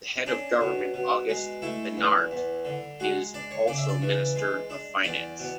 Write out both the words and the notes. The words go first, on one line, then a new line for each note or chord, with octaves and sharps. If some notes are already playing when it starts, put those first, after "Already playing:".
The head of government Auguste Beernaert is also Minister of Finance.
C#4 D4
B2
B2
G#3
A3 E4
E2
E2
D3
G#3 F#4
D4 D5
C#5
C#3 D5
E5
D5
E3
G#3
D4
E2 D5
B2